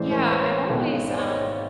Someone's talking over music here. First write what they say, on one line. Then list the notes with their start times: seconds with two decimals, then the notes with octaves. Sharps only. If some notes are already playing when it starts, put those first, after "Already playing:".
Yeah, I've always, um
Already playing: A1 A2 E3 G#3 C5 D5
0.11 A#4 C5
0.30 B4 C#5
0.69 G#1 G#2 D#3 G#3 B3 B4 C#5
1.09 C5 D5
1.19 C#5 D#5